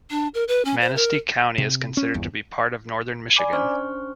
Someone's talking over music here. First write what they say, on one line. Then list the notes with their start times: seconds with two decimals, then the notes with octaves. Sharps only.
Manistee County is considered to be part of Northern Michigan.
0.10 D4
0.34 A#4
0.48 B4
0.65 C#4
0.81 C5
0.95 A#4
1.58 C3
1.97 C#4
2.14 G1 E2
3.36 D5 G#5 B5 D6
3.53 C#4 D4 C5 C#6 F6